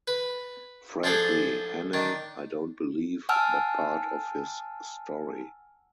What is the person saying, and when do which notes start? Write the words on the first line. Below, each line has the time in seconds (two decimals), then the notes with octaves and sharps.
Frankly, Hannay, I don’t believe that part of his story.
0.08 B4
1.04 F3 D4 G#4 A4 C5
1.93 D#3 D4
3.29 F#5 G#5 A5 E6 F6